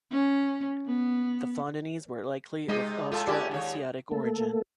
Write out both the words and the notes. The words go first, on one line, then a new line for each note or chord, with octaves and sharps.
The Funanese were likely of Austroasiatic origin.
C#4
B3
C3 G#3 D#4 D#5
A2 A3 F4 A4
C#4 E4 G4 G#4 D5
D#2 C#5
A3 A#3 A4